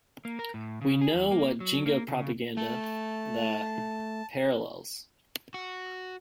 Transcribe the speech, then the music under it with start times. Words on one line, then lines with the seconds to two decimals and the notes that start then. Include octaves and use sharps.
We know what jingo propaganda "that" parallels.
0.25 A#3
0.39 A#4
0.54 A2
0.81 C#3
1.01 G#4
1.14 E2
1.31 A#3
1.60 F#3
1.86 A#3
2.08 C#3
2.57 A3 A5
5.54 F#4